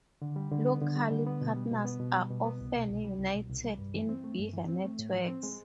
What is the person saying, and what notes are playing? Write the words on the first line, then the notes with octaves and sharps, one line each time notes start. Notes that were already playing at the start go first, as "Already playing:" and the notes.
Local partners are often united in bigger networks.
D3
G3
D3
B3
D3
G3
D3
B3
B2
G3
B2
B3
B2
G3
B2
B3
C2
B2
C2
G3
C2
B2
C2
G3
G2
E3
C4
A3
G2
E3
C4
A3
A2
F3
C4
G#3